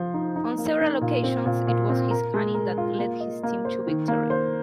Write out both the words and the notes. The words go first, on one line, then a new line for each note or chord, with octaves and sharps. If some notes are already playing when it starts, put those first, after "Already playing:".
On several occasions, it was his cunning that led his team to victory.
Already playing: F3 C5
D#4
D#4
A#3
D#4
A#2
C4
A#2
A#2
C4
A#4
G#3
A#4
F4
A#3
D#5
A#3
C5
D#3
A#3
C5